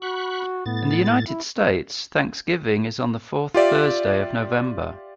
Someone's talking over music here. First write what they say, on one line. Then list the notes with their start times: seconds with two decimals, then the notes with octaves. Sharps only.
In the United States, Thanksgiving is on the fourth Thursday of November.
0.02 F#4 B5 C#6 F#6
0.66 A2 B3 A6
1.28 E4
3.54 F4 G4 D5 E5